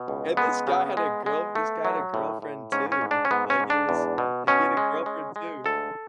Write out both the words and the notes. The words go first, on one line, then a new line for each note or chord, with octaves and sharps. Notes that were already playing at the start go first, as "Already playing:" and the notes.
And this guy had a girl this guy had a girlfriend too. Like, it was like, he had a girlfriend too.
Already playing: B2
C#2
G#3 B3
C#3
G#3
G#3
A3
F#3
A2
A2
G#2 C#4
C#4
G#2
D4
C#4
G#2 B3
C#4
G#2
D4
E2
B2
B2 C#4
G#3
G#3
G#3
D2 A4